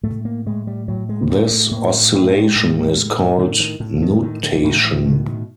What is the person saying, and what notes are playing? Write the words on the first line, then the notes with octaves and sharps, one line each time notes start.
This oscillation is called "nutation".
A2 A3
A#3
A2 G#3
G3
A2 F#3
G#3
A2 A3
A3
A2 A#3
A2 A3
G#3
A2
A2
A2 D3
D#3
A2
D#3
A2 D#3
D3
E3
A2 D#3
E3
B2 D#3
D#3